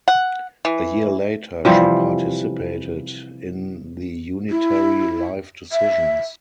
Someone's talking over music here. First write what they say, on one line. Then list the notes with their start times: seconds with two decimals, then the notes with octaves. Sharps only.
A year later she participated in the Unitary Life Decisions.
0.08 F#5
0.65 E3
1.65 C3 E3 F3 G3
4.50 E4
5.72 E5